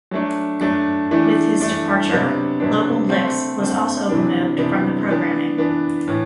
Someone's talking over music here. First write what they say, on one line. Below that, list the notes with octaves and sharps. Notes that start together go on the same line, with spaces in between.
With his departure, "Local Licks" was also removed from the programming.
F#3 A3 D4
F#3 A3 D4
E3 A3 D4
E3 A3 D4
C3 F#3 B3 D4
C3 F#3 B3 D4
D3 A3 C4
D3 A3 C4
C3 E3 B3 D4
C3 E3 B3 D4
E3 B3 D4
E3 B3 D4
A2 E3